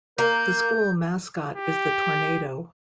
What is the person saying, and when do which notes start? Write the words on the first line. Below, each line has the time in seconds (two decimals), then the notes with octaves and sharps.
The school mascot is the Tornado.
0.18 A#3 A#4 G6
1.56 G4